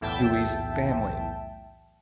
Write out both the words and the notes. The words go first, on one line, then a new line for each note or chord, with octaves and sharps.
Dewey's family.
B1 E2 A2 E5 G5 A5